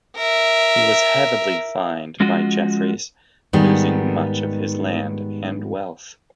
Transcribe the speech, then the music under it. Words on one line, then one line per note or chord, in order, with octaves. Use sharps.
He was heavily fined by Jeffreys, losing much of his land and wealth.
A#4 E5
F3 G#3 C#4 F4 F#4
G#2 D#3 G3 B3